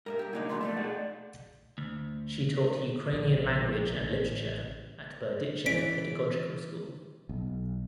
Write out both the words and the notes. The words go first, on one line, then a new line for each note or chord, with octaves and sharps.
She taught Ukrainian language and literature at Berdichev Pedagogical School.
G2 A#4 D#5 E5
G4 A#4
A2 C#3 F#3 A#3 D4 D#4
D3 E3 F#3 C6
E2 F3 A3 F4 D5
B2 D#4 G#4 A4 F#5
D2
A#1
A1
E3 C#4 B6 D7
B1